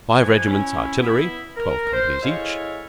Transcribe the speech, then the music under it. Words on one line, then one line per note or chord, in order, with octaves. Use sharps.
Five regiments artillery, twelve companies each.
F2 E3 F3 B4 G#5
C#4 E4
B3 E4
A#4
C5
G#3 E4 A4 C#5 E5 F5